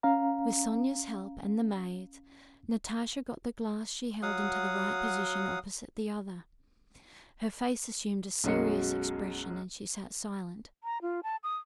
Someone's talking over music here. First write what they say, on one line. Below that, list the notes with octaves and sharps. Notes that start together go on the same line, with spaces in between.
With Sonya's help and the maid's, Natasha got the glass she held into the right position opposite the other; her face assumed a serious expression and she sat silent.
C#4 F5 A#5
F#3 F5 F#5 D#6
B1 F#2 G#3 C#4 F#4 C#7
A#5
F4
A5
D#6